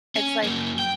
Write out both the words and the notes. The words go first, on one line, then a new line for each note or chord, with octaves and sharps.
it's like,
C#4
F#2 A#3
G5